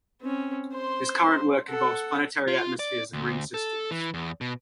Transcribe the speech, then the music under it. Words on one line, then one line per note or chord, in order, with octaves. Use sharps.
His current work involves planetary atmospheres and ring systems.
C4 C#4
C5 C6
A4 F#5
F4
D5
D2
A4
E3
E2
B2